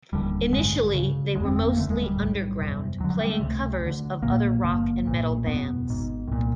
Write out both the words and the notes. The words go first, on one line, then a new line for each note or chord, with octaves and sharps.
Initially, they were mostly underground, playing covers of other rock and metal bands.
E1 D#2 D3 G3
A1 G2 D3 G#3
D2 C#3
G1 F2 D3 G#3
C4
C4
A#3
E1 D#2 D3 A3
G#3
G3
B1 A2
F#1 E2 C3
D2 D3 F#3
F#3
G3
A3
C#2 C3
D2 D3
B1 A#2 A#3
G#1 G2 D3 A#3
B1 A#2
F#1 E2 B2 B3
G#1 G#2
C2 A#2